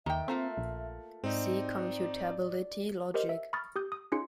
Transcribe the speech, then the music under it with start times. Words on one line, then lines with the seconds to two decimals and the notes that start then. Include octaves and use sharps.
See Computability logic.
0.06 D#2 D#3 E5 G5
0.28 A3 A#3 C4 F4
0.57 A#1
1.24 G#2 C4 D#4 D5
3.14 G4 A#4 C5 D#5
3.29 E5
3.53 B5 C#6 D#6 F6 A6
3.76 G4 D#6 G6
3.92 D#6
4.12 C#4 D#4 F4 G#4 C6 C#7